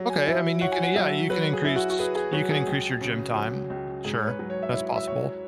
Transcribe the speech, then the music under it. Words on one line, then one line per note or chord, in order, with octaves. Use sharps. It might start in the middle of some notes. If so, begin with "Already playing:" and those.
Okay, I mean, you can yeah, you can increase you can increase your gym time, sure, that's possible,
Already playing: F#3
G#5
E4
C#5 F#5
G#5
F#5
F#3 E5
F#3 B4
G#4
E4
F#4
F#4
G#4 B4
G#4
F#3 F#4
G#4
C#2
C#3
F#3
C#2
G#2 G#4
C#5
B4
F#3
C#5
E5
E4 C#5
E5
C#5